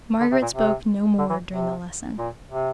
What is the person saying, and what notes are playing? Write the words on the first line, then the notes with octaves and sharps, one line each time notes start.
Margaret spoke no more during the lesson.
D3
C3
A#2
C3
D3
E3
C3
A#2
C3